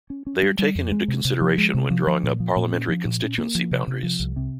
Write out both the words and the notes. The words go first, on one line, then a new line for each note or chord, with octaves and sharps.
They are taken into consideration when drawing up Parliamentary constituency boundaries.
C#4
C#4
G3
G3
F2
G#3
C3
C3
F3
G#3
C3
F3
F3
A#2
F3
A#2
C#4
F3
A#2
C#4
A#3
F3
C3
C3
F3
C2
C3